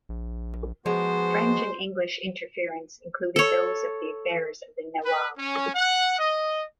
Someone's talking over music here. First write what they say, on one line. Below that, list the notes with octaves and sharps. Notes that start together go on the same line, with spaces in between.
French and English interference included those of the affairs of the Nawab.
A#1
F3 G#3 B3 F#4 C5
A4 C#5
B4
C#4
F#5
D#5